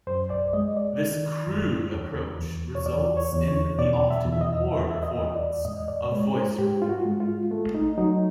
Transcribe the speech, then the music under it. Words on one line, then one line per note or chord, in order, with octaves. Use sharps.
This crude approach results in the often-poor performance of voice removal.
F#2 C5
D5
G#3 D#5
D5
D#3
F#2
E2
E2
C#5
E2 D5
C#5
E2
C#5
B2 D5
E5
E2
E5
D#5
E2 E5
E5
D#5
E2
D#5
D5
G#2 D#5
D5
G#3 C#5
C5
G#2 G4
F4
F#4
G#3
F4
A3
D#4
F#3 D#4